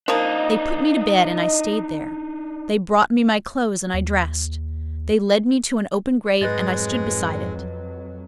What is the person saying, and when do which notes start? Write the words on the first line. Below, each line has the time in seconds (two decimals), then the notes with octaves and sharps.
They put me to bed and I stayed there; they brought me my clothes and I dressed; they led me to an open grave and I stood beside it.
0.08 F3 A#3 D4 D#4 D#5
3.93 D#2
6.41 F2 G#2 F#3 G#3 B4 D#5 A6